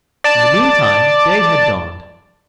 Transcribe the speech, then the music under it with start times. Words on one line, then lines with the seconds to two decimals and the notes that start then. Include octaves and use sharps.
In the meantime day had dawned.
0.24 D5 A5